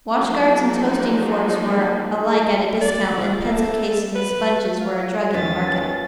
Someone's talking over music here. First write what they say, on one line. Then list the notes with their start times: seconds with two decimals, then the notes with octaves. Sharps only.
Watch-guards and toasting-forks were alike at a discount, and pencil-cases and sponges were a drug in the market.
0.19 F3 F#3 G#3 A#3 D4 D#4
2.81 D5
3.17 F3
3.45 A3
4.15 B4
4.81 F4
5.34 D#2 C#3 F3 C#4 B4 A6